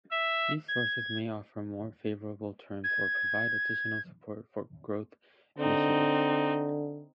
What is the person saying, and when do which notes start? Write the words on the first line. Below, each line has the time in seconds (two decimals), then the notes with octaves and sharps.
These sources may offer more favorable terms or provide additional support for growth initiatives.
0.11 E5
0.68 G#6
2.84 G#6
5.58 D3 C4 D#4